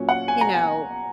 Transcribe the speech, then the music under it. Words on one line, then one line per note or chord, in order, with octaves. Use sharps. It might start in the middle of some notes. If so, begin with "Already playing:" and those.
you know
Already playing: A#2 F#3 C#4
F#5
G#5
A#5
G#5